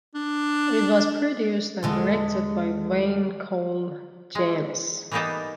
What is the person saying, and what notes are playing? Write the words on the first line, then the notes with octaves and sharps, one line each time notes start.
It was produced and directed by Wayne Coles-Janess.
D4
E2 D3 G#3
G#3
E3 G3 A#3 B3 D#4 A4